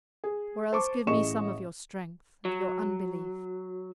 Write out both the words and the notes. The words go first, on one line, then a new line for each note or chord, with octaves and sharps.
Or else give me some of your strength--of your unbelief. . . .
G#4
C5 A5 C#6 D6
A1 A2 G#4 D#5 C#6 E7
F#3